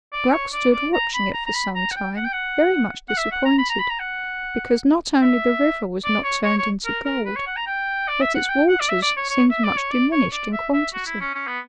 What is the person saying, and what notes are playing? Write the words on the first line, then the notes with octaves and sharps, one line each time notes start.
Gluck stood watching it for some time, very much disappointed, because not only the river was not turned into gold, but its waters seemed much diminished in quantity.
D5
C#5
D5
D5
A#5
B5
A#5
A#5
B5
A#5
F#5
G5
F#5
G5
F#5
F#5
E5
F#5
A#5
B5
A#5
B5
A#5
F#5
E5
D5
C#5
C#5
C#5
A#4
A#4
B4
C#5
F#5
A#5
G5
D5
E5
F#5
G5
F#5
D5
E5
D5
C#5
C#5
E5
D5
C#5
D5
C#5
D5
E5
E5
F#4
E4
C#4
C#4
B3